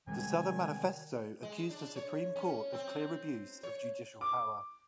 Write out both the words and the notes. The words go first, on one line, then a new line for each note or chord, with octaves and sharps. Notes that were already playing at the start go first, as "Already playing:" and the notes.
The Southern Manifesto accused the Supreme Court of clear abuse of judicial power.
C3 D#3 G3 G#3 G#5
G#3
D4
C#5
C#4
C4
C#5
D6